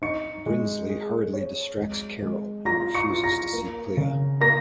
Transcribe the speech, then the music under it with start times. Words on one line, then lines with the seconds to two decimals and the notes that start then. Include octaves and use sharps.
Brindsley hurriedly distracts Carol, and refuses to see Clea.
0.02 D#4 C#6 C#7
0.46 G#3
0.89 G#4
1.33 C#5
1.77 G#3
2.22 G#3
2.65 F4 A#5 A#6
2.95 C#6 C#7
3.10 F4
3.24 A#5 A#6
3.53 A#3
3.97 C#3
4.41 A#3 A#5 A#6